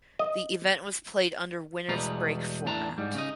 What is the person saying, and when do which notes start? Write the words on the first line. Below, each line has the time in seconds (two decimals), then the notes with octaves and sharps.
The event was played under "winners break" format.
0.19 D#5
1.89 E2 B2 G3 G#3 B4 A#5
2.66 E2 A2 D4 A5 A#5
2.98 G#2 G3
3.14 C#3 D#4 D#5